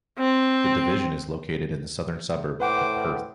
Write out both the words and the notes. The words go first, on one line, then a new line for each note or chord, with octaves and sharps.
The Division is located in the southern suburbs of Perth.
C4
A2 B4 C5 F#5 G5 D6